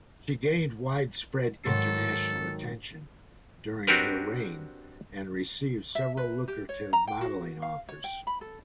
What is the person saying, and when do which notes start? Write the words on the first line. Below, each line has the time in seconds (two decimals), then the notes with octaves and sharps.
She gained widespread international attention during her reign and received several lucrative modelling offers.
1.66 G#2 D#3 F#3 A4
3.87 C4 D4 F#4 G4 A#4 B4
5.95 E5
6.17 B4
6.48 G4
6.69 C#5
6.93 A#5
7.07 G5
7.21 F#4
7.62 F5
7.89 C#5
8.04 G5
8.27 B5
8.41 A4